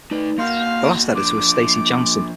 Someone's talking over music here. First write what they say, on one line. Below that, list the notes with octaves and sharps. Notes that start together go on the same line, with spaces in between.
The last editor was Stacey Janssen.
A3 D#4 B4 D5
A#3 D#4 F#4 F5 C6 G6
F3 D4 D6